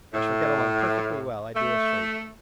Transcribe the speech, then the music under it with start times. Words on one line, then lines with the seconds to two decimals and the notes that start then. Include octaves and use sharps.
We shall get along perfectly well, I do assure you.
0.13 A2
1.55 A3